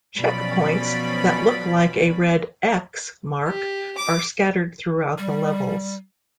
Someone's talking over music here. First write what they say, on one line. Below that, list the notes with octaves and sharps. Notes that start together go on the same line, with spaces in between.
Checkpoints that look like a red "X" mark are scattered throughout the levels.
B2 F3 F#3 C#4 D5 B5
G4
D6
G3